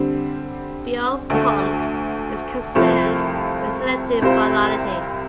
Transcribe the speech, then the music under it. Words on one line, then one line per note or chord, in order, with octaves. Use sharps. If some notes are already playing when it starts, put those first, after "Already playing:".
Biopunk is concerned with synthetic biology.
Already playing: D3 G3 C4
D2 D3 A3
C2 C3 F3 A3 F4
C2 C3 G3 F4 C5